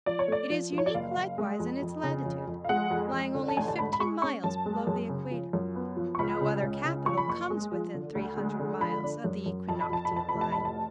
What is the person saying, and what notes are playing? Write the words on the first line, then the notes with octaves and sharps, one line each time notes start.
It is unique likewise in its latitude, lying only fifteen miles below the equator; no other capital comes within three hundred miles of the equinoctial line.
F3 D5
C#5
A3 D5
F3
F3
C#5
D5
F#1 F5
F#1
G#3
F2
F2
C#3
F2
F2
F5
G#3 F#5
F2
F2
D3
A5
A1 G#5
A5
G#2 B5
B5
G#3 C#6
C#4 C#6
F#2 A5
G#3
F#2
C#3
F3
F#2
B3
F3
C#6
C#2 B5
C#3
C#2
C#3
F3 C#6
B5
F#1 C#6
G#3
F3
D3
D2
G#3
D3
F3 B5
D4
F#2
F#2
F2 A5
B5
F2 A5
B5
F2 A5
B5
F1
A5
A1 B5
A5